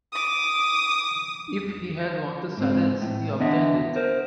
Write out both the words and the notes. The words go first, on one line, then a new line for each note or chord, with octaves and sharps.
If he had wanted silence he obtained it.
D6 D#6
G#2 C4
A2
E2 D3 B3 D#5 E5
A#4 C5